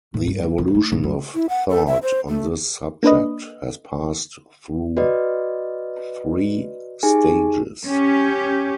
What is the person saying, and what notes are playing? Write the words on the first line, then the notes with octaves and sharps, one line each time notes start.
The evolution of thought on this subject has passed through three stages.
A2
G2
E3
D#3
A3
G#2
F#2
E4
F#5
A4
E5
C5
A3
A#3 D4 B4 D#5
F#4 B4 D5 D#5
D#4 G4 G#4 G#5
C#4 G4